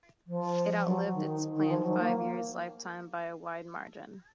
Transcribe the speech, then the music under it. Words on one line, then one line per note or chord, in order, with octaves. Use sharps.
It outlived its planned five-year lifetime by a wide margin.
F3
F#3
D#3
D#3
F3
F#3
A#3